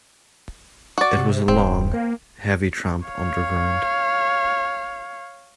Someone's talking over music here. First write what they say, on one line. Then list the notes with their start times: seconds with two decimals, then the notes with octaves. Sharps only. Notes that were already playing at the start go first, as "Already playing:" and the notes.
It was a long, heavy tramp underground.
0.98 F#4 D5
1.17 C3
1.48 D#1 C4
1.94 A#3
3.08 C#5 F5